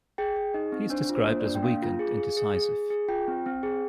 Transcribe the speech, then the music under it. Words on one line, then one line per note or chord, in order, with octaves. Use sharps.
He is described as weak and indecisive.
G#4 G5
G#4
D#4 D#5
C4
D4 C5
F4
C5
A#3
D5
D4
G5
A#3 F5
F4
G#4
G#4
G#4
G#4
G#4
G#4
F4 G5
C4
C4
G#4